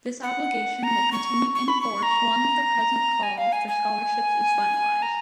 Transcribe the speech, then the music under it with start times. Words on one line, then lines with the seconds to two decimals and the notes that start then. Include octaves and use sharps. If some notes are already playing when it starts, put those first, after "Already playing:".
This obligation will continue in force ones the present call for scholarships is finalized.
0.23 F#5
0.83 A#5
1.12 C#6
1.55 C#6
1.68 B5
1.81 C#6
2.03 A#5
3.23 G#5
3.38 F5
3.52 G#5
3.68 G#5
5.02 A#5